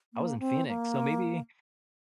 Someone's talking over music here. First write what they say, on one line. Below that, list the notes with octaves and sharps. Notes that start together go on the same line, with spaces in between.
I was in Phoenix. So maybe
A#3
C4
A#3